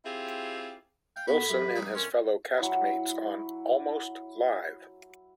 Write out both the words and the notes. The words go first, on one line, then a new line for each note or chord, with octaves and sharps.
Wilson and his fellow cast-mates on Almost Live!
C4 E4 F4 G4 G#4
F5 G5
A2 B3 F#4 B5
A1 F#2 G4
F3 G3 C4 D#4 A4 C5
C#4 E4 A#4 C#5 D5 C6
F#3 E4 B5